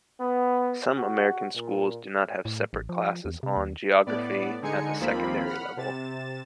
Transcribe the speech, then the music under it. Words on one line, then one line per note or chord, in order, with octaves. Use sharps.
Some American schools do not have separate classes on geography at the secondary level.
B3
F#4
A#2
A2
A1
F3
E2
C3
D#2
A2 B3 D5
D3 G#3 D#4 G#5 C#7
D#2 F3 A#3 C4 F4 B5
F#5 B5 F6
C3 A6 E7